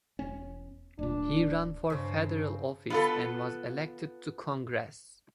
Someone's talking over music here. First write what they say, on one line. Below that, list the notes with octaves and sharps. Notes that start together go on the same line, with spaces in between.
He ran for federal office and was elected to Congress.
E1 C#4
D1 A#2 D4
G2 C#3 C4
B3 F4 A4